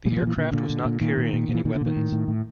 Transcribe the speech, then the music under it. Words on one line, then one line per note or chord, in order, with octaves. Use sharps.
The aircraft was not carrying any weapons.
A#2 G3
E3
F3
A#2 E3
A#2 D3
A#2 D3
A#2
A#2
A#2 D#3
A#2
A#2
A#2
E3
A#2 D#3
D3
A#2
D#3
A2
A2
A2